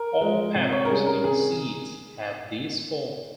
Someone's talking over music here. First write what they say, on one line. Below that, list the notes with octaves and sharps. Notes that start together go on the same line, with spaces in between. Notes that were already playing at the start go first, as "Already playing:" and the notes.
All patterns in Seeds have this form.
Already playing: A#4
F3 G#3
C3
C#5
A#4
G3 C#4 G#4
A#4
C3 G#4